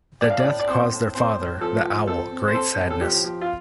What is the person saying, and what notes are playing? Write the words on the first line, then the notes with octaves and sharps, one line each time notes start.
The death caused their father, the owl, great sadness.
A2 D5
F5
A2 D5
D5
C4 C5
A2
C4 C5
A2
F3 A4
F3
C4 A4
C4
C5
C4 A4
A2
A4
F3 G4
F3
F4